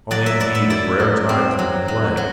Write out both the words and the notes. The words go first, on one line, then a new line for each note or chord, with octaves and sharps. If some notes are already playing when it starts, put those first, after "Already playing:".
Only indeed at rare times when you play.
F#3 D5
E5
E4 D5
E5
E4 D5
F#3
C4
F#3
F#3
F#3